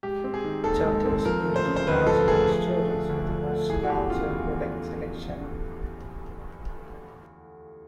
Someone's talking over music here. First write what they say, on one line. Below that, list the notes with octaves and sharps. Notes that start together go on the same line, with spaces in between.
Chapters built large box stores with a much larger product selection.
G#3 G4
C4
G#4
D#3
D#2 A4
G#3
C4
F3 A#4
A3
C5
C#3
C5
D2 B4
F3 A4
A3 G#4
F3
A3
D3
D2
F3
A3
E3 G#4
F#4
E2 G4
C#3 F4
E2